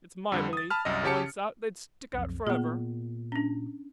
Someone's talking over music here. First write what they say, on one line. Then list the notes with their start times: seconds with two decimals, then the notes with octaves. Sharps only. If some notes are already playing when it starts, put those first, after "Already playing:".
It's my belief, once out, they'd stick out for ever.
0.32 F2 D3 G3
0.53 D#6 A6
0.70 A5 B5 F6
0.85 C2 F#2 D#5
1.03 C#3 C#4 G4 A5 C#7
2.14 B1 F2
2.47 A#2 B3 G#4
3.32 C#4 D4